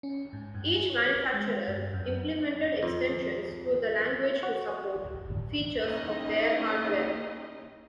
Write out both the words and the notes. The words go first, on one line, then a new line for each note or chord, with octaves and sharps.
Each manufacturer implemented extensions to the language to support features of their hardware.
C#4
G#2
G2
G#4
C#5
G#3
G2
F#2
F2
F#4
A#3 C#4 D#4 E4 G4 D#5